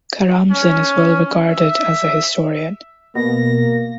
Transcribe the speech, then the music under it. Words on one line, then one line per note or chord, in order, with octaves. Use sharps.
Karamzin is well-regarded as a historian.
C#4
E5
B2 A#3 A#6